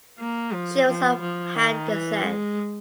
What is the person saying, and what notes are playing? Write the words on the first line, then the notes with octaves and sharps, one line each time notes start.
She was of Han descent.
A#3
F3
F3
F3
D#3
E3
G#3